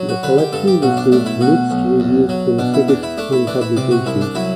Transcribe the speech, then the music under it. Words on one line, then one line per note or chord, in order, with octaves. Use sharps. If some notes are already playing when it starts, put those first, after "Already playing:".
The collection received mixed reviews from critics and publications.
Already playing: F#3
F#4
D3 B4
G4
G2 A4
G4
B1 F#4
D4
A3 D4
E4
B2 F#4
B1
E2
F#3
B2 D4
E4
E2 D4
E4
A3 D4
E4
E3 D4
E4
C3 D5
F#4
C2 E4
D4
F#3 E4